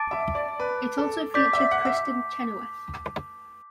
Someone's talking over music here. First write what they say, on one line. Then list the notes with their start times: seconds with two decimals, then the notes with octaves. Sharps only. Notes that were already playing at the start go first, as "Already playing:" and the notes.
It also featured Kristin Chenoweth.
Already playing: A5 D6 A6 D7
0.11 E5
0.35 D5
0.60 B4
0.97 A4
1.34 D5 D6 G6 B6
1.53 E5
1.71 F#5
1.85 E5